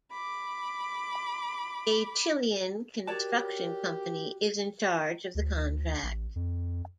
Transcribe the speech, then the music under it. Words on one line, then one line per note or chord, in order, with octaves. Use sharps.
A Chilean construction company is in charge of the contract.
B5 D6
F#4 G4 A#4 C#5 D5 A5
D2
A1
F2